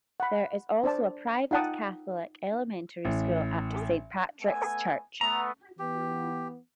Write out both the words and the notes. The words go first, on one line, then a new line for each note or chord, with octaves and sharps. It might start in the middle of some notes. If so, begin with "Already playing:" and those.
There is also a private Catholic elementary school at Saint Patricks Church.
F#5 B5
D4 C5 D5 A5
D#4 F4 F#5 G5 A5 D#6
A1
A3 B3 G#5
A3 B3 A#5
E3 B3 G4